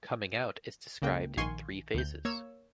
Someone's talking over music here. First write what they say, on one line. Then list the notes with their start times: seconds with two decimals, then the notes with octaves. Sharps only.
"Coming out" is described in three phases.
1.02 C#2 A#3 G5
1.37 A#1 D#3 F5 G#5 C6 C#6
1.94 D2 G6
2.25 A#3 C#5 E6